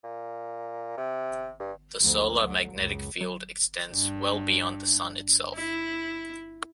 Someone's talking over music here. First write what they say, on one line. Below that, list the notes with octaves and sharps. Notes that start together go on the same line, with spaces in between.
The solar magnetic field extends well beyond the Sun itself.
A#2
C3
G2
D2 F3
D2 F#3
C#2 F#2
F#3
G2
E4